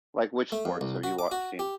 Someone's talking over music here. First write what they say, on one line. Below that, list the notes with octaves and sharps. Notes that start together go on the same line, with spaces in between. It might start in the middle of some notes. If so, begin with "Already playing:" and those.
like, which sports have you watch seen?
A3
F2
C2
F#4
D6
F#4
G4